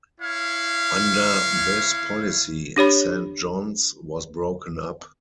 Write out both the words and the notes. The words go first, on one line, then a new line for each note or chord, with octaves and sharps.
Under this policy, Saint John's was broken up.
E4 C#5 F5
D4 G4 C#5 B5